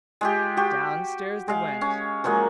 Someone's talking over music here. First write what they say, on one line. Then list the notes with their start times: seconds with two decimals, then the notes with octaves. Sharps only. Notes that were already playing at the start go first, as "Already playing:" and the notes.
Downstairs they went.
0.21 G#3 F4 G4
0.57 F#4 G4
1.48 G#3 F5
1.81 C#4
2.24 F3 F#3 G#3 A#3